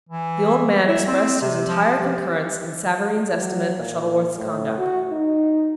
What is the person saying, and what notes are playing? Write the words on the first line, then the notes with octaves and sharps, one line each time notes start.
The old man expressed his entire concurrence in Savareen's estimate of Shuttleworth's conduct.
E3
E4
C4
C3
F3
G4
F#3
A#2
A2
F#4
D#4